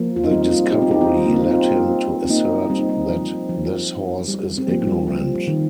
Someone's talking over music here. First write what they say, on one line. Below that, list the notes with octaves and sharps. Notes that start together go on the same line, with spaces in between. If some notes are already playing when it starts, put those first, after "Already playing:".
The discovery led him to assert that "this horse is ignorant".
Already playing: F3 A#3
F4
D#4
G3 C4
D#4
C4 F4
D#4 G4
C4 F4
D#4 G4
C4 F4
G3
A#3
C4
D#4
C4 F4
C4
A#3 D#4
G3 C4
D#4
G3 C4
F3
F3
G3
C4
F3 A#3
G3
F3
D#3